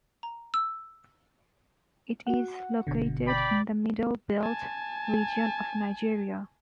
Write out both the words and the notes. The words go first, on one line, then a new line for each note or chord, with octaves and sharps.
It is located in the Middle Belt region of Nigeria.
A#5
E6
F#4 F#5
G1 B2 D3
D5 G5 B5
G#5 A5